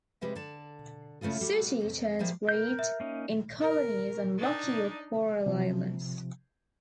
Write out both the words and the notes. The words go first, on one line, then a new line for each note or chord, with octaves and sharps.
Sooty terns breed in colonies on rocky or coral islands.
C3 G3 G#3 B4 E5
D3 D5 A5
C#3 A3 E4 F4 G#4
G3 F#4
F2
F3 G3 A#3 G#4 A#4 E5
A#4 G6
E5
A#3 C#4 D#4
A#4
D4 D#4
C3 F3